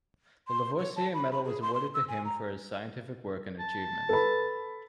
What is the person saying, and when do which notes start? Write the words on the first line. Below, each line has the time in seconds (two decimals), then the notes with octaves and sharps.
The Lavoisier Medal was awarded to him for his scientific work and achievements.
0.48 C6
0.79 C#5
0.96 A5
1.14 B5
1.32 B5
1.44 G#4
1.62 C6
1.74 C6
1.94 E6
2.08 G#5
2.25 A#5
3.60 A5
4.09 A4 B4 B5